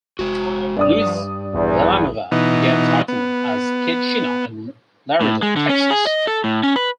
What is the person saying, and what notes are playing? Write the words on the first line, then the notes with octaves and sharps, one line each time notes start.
Luis Villanueva began fighting as "Kid Chino" in Laredo, Texas.
F1 G#3 F#4
G2 D4 D5 D#6
A#1 E2
B2 E3 D#4
B3
A2
G#3
D3
C#4
G#4
D#5
A4
A2
C#4
B4